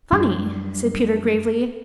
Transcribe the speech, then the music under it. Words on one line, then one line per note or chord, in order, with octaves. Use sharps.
"Funny!" said Peter gravely.
F#2 G3 D4